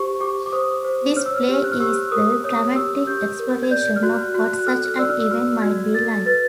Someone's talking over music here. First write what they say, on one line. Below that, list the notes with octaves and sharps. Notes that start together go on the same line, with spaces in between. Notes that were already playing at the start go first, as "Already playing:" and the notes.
This play is the dramatic exploration of what such an event might be like.
Already playing: G4 C5 C#6
G4 D6
D6
C5 D#6
C5
C#5 F6
E6
F6
G4
F#6
F6
G4 E6
A#4 D#6
C#5 D#6
G4 E6
G4 G6
A#4
G#6
D5 G6
F6
F#4 F#6
F#4 F#6
F#6
A4 F6
D5 E6
F6
E6
F#4 F6
E6
F#4 G#6
A4 A6
B4 A6